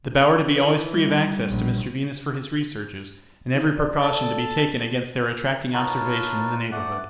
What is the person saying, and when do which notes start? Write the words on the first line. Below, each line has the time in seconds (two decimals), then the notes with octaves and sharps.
The Bower to be always free of access to Mr Venus for his researches, and every precaution to be taken against their attracting observation in the neighbourhood.
0.56 E3 B4
0.94 G3
1.46 A#1
3.54 D#4
3.77 D5
4.02 A4
5.73 D#4 F4 A#4 B4 C#5 A5
6.72 A3 D5 F#5